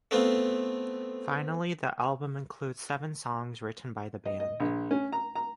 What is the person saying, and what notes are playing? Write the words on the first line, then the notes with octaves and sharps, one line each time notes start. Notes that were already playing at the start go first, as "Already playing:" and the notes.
Finally, the album includes seven songs written by the band.
A3 B3 C4 F4
D#5
D#5
A#1
C#4
A#5
A#5